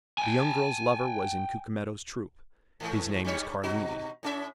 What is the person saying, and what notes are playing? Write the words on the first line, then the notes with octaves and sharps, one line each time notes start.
The young girl's lover was in Cucumetto's troop; his name was Carlini.
G5 G#5
G#2 E3 A3
G2 G3 C#5
B2 D#4 F#4
A2 C#4 E5